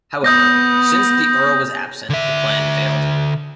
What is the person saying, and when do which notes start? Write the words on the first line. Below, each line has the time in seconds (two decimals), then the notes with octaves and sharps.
However, since the Earl was absent, the plan failed.
0.24 B3 D#6 G6 A#6
2.10 D3 E5